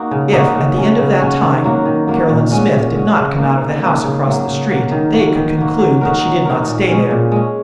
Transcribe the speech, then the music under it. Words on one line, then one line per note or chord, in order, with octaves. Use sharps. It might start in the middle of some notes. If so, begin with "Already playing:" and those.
If, at the end of that time, Caroline Smith did not come out of the house across the street they could conclude that she did not stay there.
Already playing: A#3 D#4 F#4
C#3
A#3 D#4 F#4
C#3
F#3 C#4 F#4
C#3
F#3 C#4 F#4
D#3
F#3 A#3 F#4
D#3
F#3 A#3 F#4
A#2
G#3 C#4 F#4
A#2
G#3 C#4 F#4
C#3
A#3 D#4
C#3
A#3 D#4
C#3
F#3 A#3
C#3
F#3 A#3
D#3
A#3 F#4
D#3
A#3 F#4
F#3
D#4 F#4 A#4
F#3
D#4 F#4 A#4
A#2
G#3 C#4
A#2
G#3 C#4